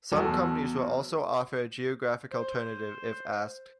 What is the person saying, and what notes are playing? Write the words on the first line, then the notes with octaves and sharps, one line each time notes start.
Some companies will also offer a geographic alternative if asked.
E2 B2 F#4 A4
C5